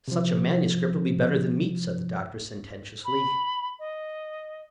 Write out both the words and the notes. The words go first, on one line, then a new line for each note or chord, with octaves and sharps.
"Such a manuscript'll be better than meat," said the doctor, sententiously.
C3 F3
B5
D#5